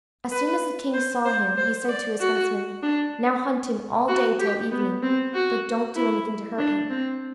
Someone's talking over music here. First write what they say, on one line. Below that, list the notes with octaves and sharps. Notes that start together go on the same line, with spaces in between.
As soon as the king saw him, he said to his huntsmen, "Now hunt him all day till evening, but don't do anything to hurt him."
B4
C5
C5
C5
D5
F#4
D4
F#4
G4
B3
C4
F#4
E4
D4
C4